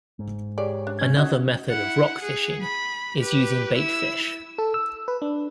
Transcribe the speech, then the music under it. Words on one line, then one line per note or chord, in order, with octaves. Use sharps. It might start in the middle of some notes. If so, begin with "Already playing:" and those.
Another method of rock fishing is using bait fish.
G#2
G4 G#4 C#5 D5
D4
C#4 G#6
D#4 F#4 D#5
E4 F#5
G#4
B5
G4 B4
E4 E6
A4
E6
B4
D4